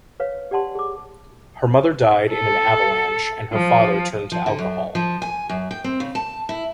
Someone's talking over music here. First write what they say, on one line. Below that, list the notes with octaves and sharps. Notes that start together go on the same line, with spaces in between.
Her mother died in an avalanche and her father turned to alcohol.
B4 C#5 F5
G4 D5 F#5 A5 C6
G#4 D6
A4
F3
F3
D3
F#2
F3
G#5
F#2
G5
C4
C#3
A5
E4